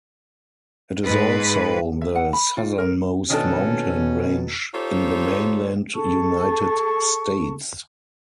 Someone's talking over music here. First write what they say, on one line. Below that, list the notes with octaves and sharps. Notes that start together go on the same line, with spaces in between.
It is also the southernmost mountain range in the mainland United States.
G#2 B4
E5
F#5
B5
F4
A#4
B2 D#3 C#4 D4 A4
D#4 F4 G4 A4 C5 C#5
G#4 A4 A5 C#6